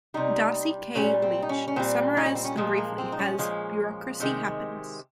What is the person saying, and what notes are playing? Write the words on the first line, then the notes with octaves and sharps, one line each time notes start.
Darcy K. Leach summarized them briefly as: Bureaucracy happens.
C3 G3 D#4
A#2 G3 C#4
C4
D#4
C#4
C#4
A#2 G3 C4
D#4
C#4
C4
C#4
A#2 F3 G#3
A#3
C4
D#4
C#4
A#2 F3 G#3
C3 D#3 G#3